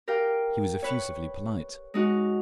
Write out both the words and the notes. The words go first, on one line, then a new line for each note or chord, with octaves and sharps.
He was effusively polite.
G4 A#4 F5 G5
B4 C#5
G#3 D#4 F#4